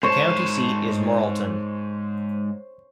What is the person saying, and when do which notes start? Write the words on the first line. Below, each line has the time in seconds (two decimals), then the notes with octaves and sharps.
The county seat is Morrilton.
0.03 G#2 C5 C#5 A5